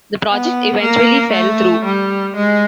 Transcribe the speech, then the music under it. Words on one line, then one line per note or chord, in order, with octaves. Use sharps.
The project eventually fell through.
B3
A#3
A3
G3
G#3